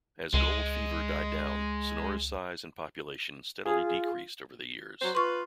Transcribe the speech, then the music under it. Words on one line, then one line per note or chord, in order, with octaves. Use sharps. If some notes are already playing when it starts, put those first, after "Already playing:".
As "gold fever" died down, Sonora's size and population steadily decreased over the years.
C#2 G#3
F4 G#4
F#3 C5
F4 B4 C6 C#6